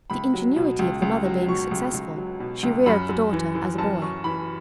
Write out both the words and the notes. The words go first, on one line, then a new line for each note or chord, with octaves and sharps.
The ingenuity of the mother being successful, she reared the daughter as a boy.
C#2 B5
F#3
B2
C#2
C#2
F#3
B2 C#6
C#2
C#2
F#3
B2
C#2
F#2 B5
F#2
E3
E3
F#2 A5
F#2 C#6
E3 B5